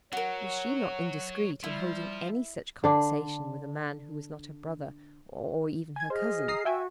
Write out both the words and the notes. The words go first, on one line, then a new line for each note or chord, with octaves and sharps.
Was she not indiscreet in holding any such conversation with a man who was not her brother or even her cousin?
F#3 F#4 A#4 C#5 F#5
F3 G3 E4
D3 D4
G#5 G#6
G#4 C5 D#5 F6
A#5 D#6 C7
F#4 E5 G5 G#5